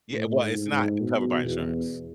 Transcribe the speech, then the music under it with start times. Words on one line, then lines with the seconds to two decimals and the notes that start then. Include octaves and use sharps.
Yeah. Well, it's not covered by insurance.
0.13 A2
0.42 G#2
0.72 G#2
1.01 B2
1.44 E2